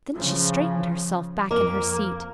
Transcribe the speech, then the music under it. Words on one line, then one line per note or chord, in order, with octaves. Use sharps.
Then she straightened herself back in her seat.
C#3 F3
F2 A#3